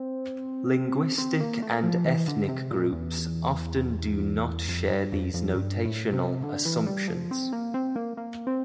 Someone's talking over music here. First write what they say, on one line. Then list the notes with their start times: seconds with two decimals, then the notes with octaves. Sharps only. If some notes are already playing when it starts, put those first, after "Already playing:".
Linguistic and ethnic groups often do not share these notational assumptions.
Already playing: C4
1.18 C4
1.40 A#3
1.62 A3
1.83 F3
2.05 E3
2.28 D3
2.48 C3
2.71 A#2
2.92 E2
4.68 F2
4.90 G2
5.12 F2
5.34 F2
5.56 G2
5.85 A2
6.13 C3
6.43 D3
6.65 E3
6.87 G3
7.08 F3
7.31 C4
7.52 A#3
7.74 C4
7.96 A#3
8.17 A#3
8.47 C4